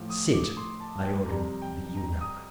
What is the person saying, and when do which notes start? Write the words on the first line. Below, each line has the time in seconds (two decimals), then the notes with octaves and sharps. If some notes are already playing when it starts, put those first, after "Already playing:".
"Sit," I ordered the eunuch.
Already playing: A2 F3 D6
0.10 D#6
0.33 D6
0.57 C6
0.80 A5
1.04 G5
1.26 F2 C3 G3 A#5
1.62 G5
1.97 A#5
2.21 D#6